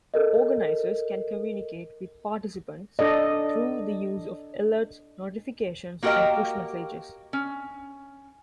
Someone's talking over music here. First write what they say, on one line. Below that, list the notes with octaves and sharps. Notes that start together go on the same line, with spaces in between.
Organisers can communicate with participants through the use of alerts, notifications, and push messages.
A4 A#4 D#5
D4 A4 D5 D#5
A#3 F#4 G4 A#4 D#5 G5
C#4